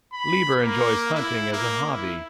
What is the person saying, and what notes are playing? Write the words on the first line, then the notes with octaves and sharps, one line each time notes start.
Lieber enjoys hunting as a hobby.
B5
A#3
E4
A#3
E4